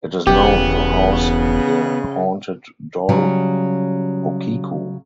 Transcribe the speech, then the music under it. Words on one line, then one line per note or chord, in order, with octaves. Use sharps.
It is known to house the haunted doll Okiku.
E1 C#3 B3 G4
C#3 F#3 G3